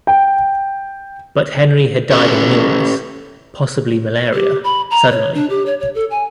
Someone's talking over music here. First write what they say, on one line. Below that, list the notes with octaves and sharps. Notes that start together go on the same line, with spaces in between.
But Henry had died of an illness; possibly Malaria, suddenly.
G5
C#4 G4 A4 B4
G4
B5
A#5
C#5
D4
G4
C#5
C#5
A4
G#5